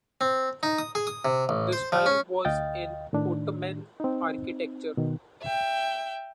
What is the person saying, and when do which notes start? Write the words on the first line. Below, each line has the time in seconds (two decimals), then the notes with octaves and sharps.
The style was in Ottoman architecture.
0.21 C4
0.63 D#4
0.78 D#6
0.95 G#4
1.07 D#6
1.25 C3
1.49 A1
1.73 C5
1.92 F3
2.06 C#4
2.45 D2 D#5 F5 G5 A6
3.13 A2 D#3 D4
4.00 C4 D#4
4.97 B2 D#3
5.41 E5 G5